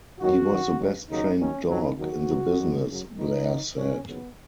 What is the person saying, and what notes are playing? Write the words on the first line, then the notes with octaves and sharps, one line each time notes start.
He was the best-trained dog in the business, Blair said.
F#2 D#3 F#3 F#4
F#2 D#3 F#3
G#2 D#3 F#3
D#2 C#3 F#3 D#4
D#2 D#3 F#3 C#4
C#2 B2 F#3 D#4
D#2 D#3 F#3 F#4
C#2 B2 F#3
F#2 D#3 F#3
F#2 C#3 F#3
G#2 D#3 F#3 D#4
F#2 D#3 F#3
G#2 F#3 C#4
D#2 C#3 F#3 B3